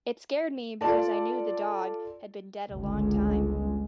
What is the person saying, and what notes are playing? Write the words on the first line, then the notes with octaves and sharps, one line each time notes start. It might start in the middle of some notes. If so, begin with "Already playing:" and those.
It scared me because I knew the dog had been dead a long time.
F4 A4 D5 A5
G1 C#2 G#3